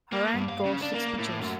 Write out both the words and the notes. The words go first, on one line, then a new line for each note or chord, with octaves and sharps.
Harang throws six pitches.
A#3
G2
F5
C#3
D4
A#3
A2
F#2